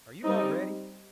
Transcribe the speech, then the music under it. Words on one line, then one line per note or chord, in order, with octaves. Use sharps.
Are you all ready?
G3 C4 D#4